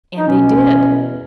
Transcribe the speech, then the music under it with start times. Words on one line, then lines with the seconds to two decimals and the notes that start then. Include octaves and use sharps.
And they did.
0.17 D#4
0.27 B2 C#4
0.72 E2